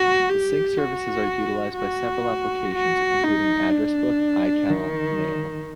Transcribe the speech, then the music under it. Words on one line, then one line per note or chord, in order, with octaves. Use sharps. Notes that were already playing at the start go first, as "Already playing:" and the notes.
The sync services are utilized by several applications including Address Book, iCal, Mail.
Already playing: F#4
G4
F#4
F#4
F#4
D#4
D4
D#3